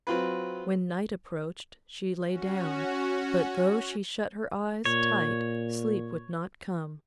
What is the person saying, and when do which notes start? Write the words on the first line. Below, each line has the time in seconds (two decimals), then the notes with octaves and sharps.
When night approached she lay down, but though she shut her eyes tight sleep would not come.
0.07 F#3 C4 F4 B4
2.25 C#4 F#4
4.85 A#2 C#5